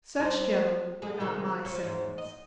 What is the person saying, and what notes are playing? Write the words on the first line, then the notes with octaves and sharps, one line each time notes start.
Such, gentlemen, are not my sentiments.
G3 C4
D3 G#4
C3 D#3 G#3
F3 C#4
E2 G#2
D#5